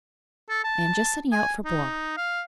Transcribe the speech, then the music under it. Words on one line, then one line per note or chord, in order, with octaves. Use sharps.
I am just setting out for Blois.
A4
A5
G#5
D#4
F5